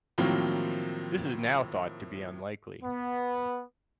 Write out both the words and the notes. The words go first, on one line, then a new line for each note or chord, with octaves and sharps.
This is now thought to be unlikely.
A2 D#3 F3 F#3 A#3 C4
B3